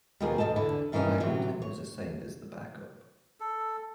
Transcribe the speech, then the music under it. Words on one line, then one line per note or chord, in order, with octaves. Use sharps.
Magilton was assigned as the back-up.
D#2 B2 F3 A#3 G#4
E2 E3 A4 D#5 A5
E2 D3 D4 E4
G2 D#3 E3 F#3 C#4 D#5
A2 C3 E3 F#3
C#5
A4